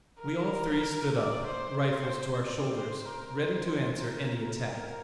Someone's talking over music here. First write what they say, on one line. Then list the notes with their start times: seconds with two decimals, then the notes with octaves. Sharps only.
We all three stood up, rifles to our shoulders, ready to answer any attack.
0.19 A#4
1.14 D5
1.47 C5
1.78 C5
2.42 D5
2.74 C5
3.05 A#4
3.38 C5
3.70 C5
4.02 A#4
4.66 A#4